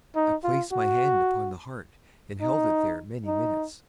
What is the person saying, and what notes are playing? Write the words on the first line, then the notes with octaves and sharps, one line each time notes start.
I placed my hand upon the heart and held it there many minutes.
D#4
F4
F#4
D#4
D#4